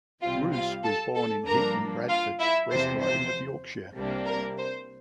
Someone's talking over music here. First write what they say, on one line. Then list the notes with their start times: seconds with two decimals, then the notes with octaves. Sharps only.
Rouse was born in Heaton, Bradford, West Riding of Yorkshire.
0.21 C2 C3 G3 C4 F4 F5
0.52 F4 F5
0.84 A4 A5
1.15 A4 A5
1.46 G2 F3 A#3 D4 A#4 A#5
2.08 F4 F5
2.39 E4 E5
2.71 E2 C3 F3 C5
3.02 C5
3.95 C2 C3 G3 A#3 D4
4.27 A#4
4.58 C5